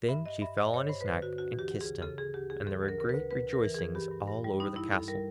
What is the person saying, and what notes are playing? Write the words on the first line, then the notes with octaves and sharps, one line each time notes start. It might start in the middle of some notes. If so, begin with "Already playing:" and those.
Then she fell on his neck and kissed him, and there were great rejoicings all over the castle.
G2 E5
G2 D#5
G2 E5
G2 D#5
G2 C#5
G2 C5
B4
D3 C5
D3 F#4
D2 F#4
E3
G4
D2
C#3 G#4
C#3 A4
C#3 G#4
D2 G4
D2 G#4
E3 A4
D2
A#4
C#3 A#4
B4
D2
D2 B4
D2
A#4
E3
E3 G#4
G2 G4
G2
G2
G3
G2 D#4
G2 E4
G2 A4
G3 A#4